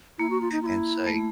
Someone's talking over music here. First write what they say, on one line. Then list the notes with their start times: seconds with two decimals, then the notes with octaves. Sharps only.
and say
0.19 A#3 E4
0.30 F#4
0.41 F4
0.52 D#4
0.63 F4
0.66 E4
1.07 A3